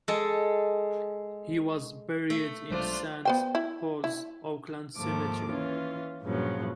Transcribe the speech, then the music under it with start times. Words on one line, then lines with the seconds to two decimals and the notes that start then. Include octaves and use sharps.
He was buried in Saint Paul's Oakland Cemetery.
0.08 G#3 A4
2.30 A3
2.70 B1 F#3 G#3 D4 F4 C5
3.25 B3 C5 G5
3.55 E4
4.04 E4
4.96 D#2 G#2 F3 A3 D6
5.50 E3 C#4 F4
6.22 G2 A#2 C#3 F3 F#3